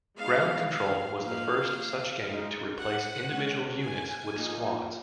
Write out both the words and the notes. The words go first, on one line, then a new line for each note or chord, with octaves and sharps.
"Ground Control" was the first such game to replace individual units with "squads".
G#3 B3 D#4 F5
F5
F3 A#3 D#4 F5
G#3 D#4
F#5
G#3 C#4
G#5
F3 A#3 D#4